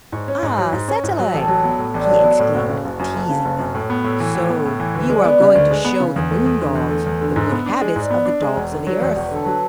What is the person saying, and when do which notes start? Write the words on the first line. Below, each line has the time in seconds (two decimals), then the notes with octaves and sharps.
Ah, Satellite!" he exclaimed, teasing them; "so you are going to show the moon-dogs the good habits of the dogs of the earth!
0.12 G#2 C#5
0.28 C#4
0.43 G#2
0.58 F#3
0.73 G#2
0.88 C#4
1.04 G#2
1.19 F#3
1.34 A1 A4
1.48 F#3
1.63 B3 E4
1.79 A2
1.94 A1 D4
2.09 F#3
2.23 B3 E4
2.39 A2
2.54 F#1 F#4
2.70 C#3
2.84 F#1 G#4
2.99 F#2
3.14 F#1 A4
3.30 C#3
3.45 F#1
3.59 F#2
3.74 A2 C#5
3.90 B3
4.04 A2 E5
4.20 E3
4.34 A2 C#5
4.49 B3
4.65 A2
4.80 E3
4.94 D2 B4
5.10 G#3 D5
5.25 B3 D5
5.40 C#3 B4
5.55 D2 C#5
5.71 G#3
5.85 B3
6.00 C#3
6.16 E2
6.31 A3
6.46 E2
6.61 D3
6.75 E2
6.90 A3
7.06 E2
7.21 D3
7.36 G#2 E5
7.51 B3
7.66 D4
7.82 G#3
7.95 G#2 D5
8.10 B3
8.26 D4
8.42 G#3
8.56 E1 C#5
8.72 D3 C#5
8.87 F#3 D5
9.01 E2 C#5
9.16 E1 C#5
9.25 B4
9.31 D3 A4
9.44 F#3 B4